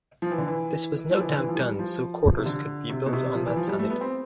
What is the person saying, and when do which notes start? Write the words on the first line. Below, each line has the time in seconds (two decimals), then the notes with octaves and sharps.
This was no doubt done so quarters could be built on that side.
0.22 F3
0.31 E3
0.38 D3
0.47 E3
1.11 F3
1.20 E3
1.29 D3
1.38 E3
1.48 F3
1.55 G3
1.79 F3
2.38 C3
2.46 D3
2.89 C3
3.06 B2
3.13 C3
3.35 F3
3.45 E3
3.57 F3
3.68 G3
3.79 A3
3.90 B3
4.01 C4